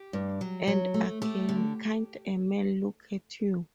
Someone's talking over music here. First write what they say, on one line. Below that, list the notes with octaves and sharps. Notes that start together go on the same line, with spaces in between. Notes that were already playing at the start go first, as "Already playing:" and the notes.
And again, "Can't a man look at you?"
Already playing: G4
G2
F#3
F#3
A3
A3 G4
D3